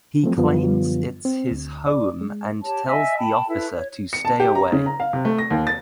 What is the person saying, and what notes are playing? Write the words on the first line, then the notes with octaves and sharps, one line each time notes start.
He claims it’s his home and tells the officer to stay away.
F3 F#3 A3 C4
F#2 D3 F3 G3 B3 F4
C4
D2
D5
G#3
G4 C#5 A5
D#5 E5 G#5 E6
G5 A5 B5
E4 A4 B4
C#5
C#7
A5
G4
A#5
C#3
A#5
F5
C3
A3
A#6
D#2
A6